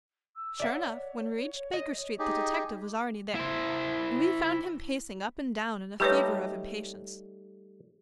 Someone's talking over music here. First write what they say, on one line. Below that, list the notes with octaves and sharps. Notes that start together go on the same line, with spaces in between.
Sure enough, when we reached Baker Street the detective was already there, and we found him pacing up and down in a fever of impatience.
E6
C#5 D5 E5 F#5
D#5
D#4 G4 G#4
E4 C5
G3 A3 D#4 G4 B4 C#5